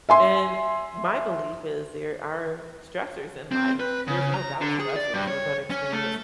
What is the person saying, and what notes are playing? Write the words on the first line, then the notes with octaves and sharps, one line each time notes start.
And my belief is there are stressors in life, there's no doubt stressors, we're gonna experience
E5 G#5 C6
C4
B4
C#3
A#5
D3
G#4
D5
G2
C#5
C#4
A3